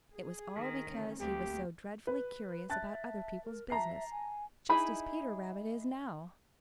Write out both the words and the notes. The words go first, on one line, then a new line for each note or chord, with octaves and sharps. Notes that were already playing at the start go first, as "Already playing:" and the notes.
It was all because he was so dreadfully curious about other people's business, just as Peter Rabbit is now.
G#4
D#3
D2 C#4
D2 A#3 C4 G4
B4
E5 A5 F#6 A6
A#4
E5 A5 A#5 C7
G#5
D#4 E4 G#4 B5